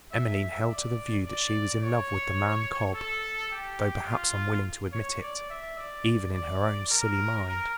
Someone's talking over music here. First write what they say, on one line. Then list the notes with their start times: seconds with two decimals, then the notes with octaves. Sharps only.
Emmeline held to the view that she was in love with the man Cobb, though perhaps unwilling to admit it, even in her own silly mind.
0.12 E5
0.68 D5
1.25 D5
1.82 C#5
2.95 A4
3.52 G4
4.08 F4
4.92 C#5
5.21 D5
5.50 E5
5.78 D5
6.34 D5
6.91 A#4
7.47 A#4